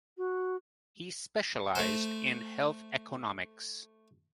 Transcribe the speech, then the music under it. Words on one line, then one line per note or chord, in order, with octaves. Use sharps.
He specialized in health economics.
F#4
A3 C5